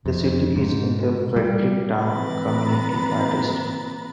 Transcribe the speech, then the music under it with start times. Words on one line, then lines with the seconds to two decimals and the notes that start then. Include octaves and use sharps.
The city is in the Fredericktown Community Fire District.
0.06 F2
0.56 G#2
1.36 G3
2.00 A#2 E3 C4 B4 A#5 A6